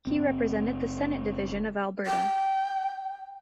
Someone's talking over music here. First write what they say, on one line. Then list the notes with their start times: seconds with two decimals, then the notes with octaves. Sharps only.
He represented the senate division of Alberta.
0.07 F#1 C4
2.06 G5